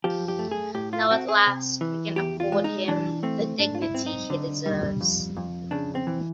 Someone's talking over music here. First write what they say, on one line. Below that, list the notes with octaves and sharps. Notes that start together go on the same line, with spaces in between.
Now at last we can accord him the dignity he deserves.
F3 G4
G4
A3
G#4
A2 G4
F4
C4 F#4
G#4
C3
E3
E2 G4
F4
G#3
D#4
E3 D4
A3 C4
G#2 D4
F4
E4
C4
D#4
D3
G3
F2
F2
C#3 D4
C4
E3